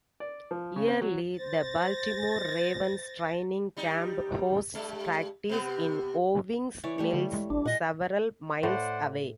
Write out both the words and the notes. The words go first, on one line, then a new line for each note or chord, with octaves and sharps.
Yearly, the Baltimore Ravens Training camp hosts practice in Owings Mills, several miles away.
D5
F3
C#3
C4
F#3
C5 A6 A#6
G3 D#4
G2 G#3
C3 B3
E3 C#5 D5
G3 A3 C#5
D3
G#3
G#1 D4
A#2 D#5 F#5 G#5
A2 C5 D5 F#5